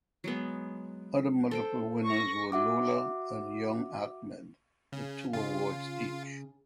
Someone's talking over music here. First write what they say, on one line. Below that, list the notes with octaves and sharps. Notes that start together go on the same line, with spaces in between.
Other multiple winners were "Lola" and "Young Ahmed" with two awards each.
F#3 G#3 B3
A4 C5 G5
C#6 A#6
F#4 E5 F#5 D6
C#3
C#3 F4